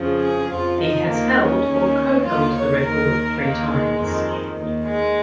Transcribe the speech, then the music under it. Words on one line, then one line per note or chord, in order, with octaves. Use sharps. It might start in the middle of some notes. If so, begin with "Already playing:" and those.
He has held or co-held the record three times.
Already playing: F2 C#3 F3
G#4
F2 F3 F4
D#4
D#2 D#3 A#3
C#4
D#2 D#3
D#2 D#3 F4
C#5
D#2 D#3 A#4
D#2 D#3 A#3
G#3
F2 D#3
D#2 D#3
G#3